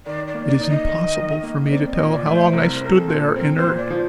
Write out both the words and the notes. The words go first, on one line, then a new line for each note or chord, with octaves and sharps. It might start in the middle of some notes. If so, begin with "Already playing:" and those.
It is impossible for me to tell how long I stood there inert.
D#3 D5
D5
A#3
D5
D#4
D#5
D#3
D#3
A#3
D#5
C4 D5
D#5
A#2
D5
A3
C5
C2 A#4
C4 A#4
A4
A#2
C4 A#4
C5
A#2
D5
F3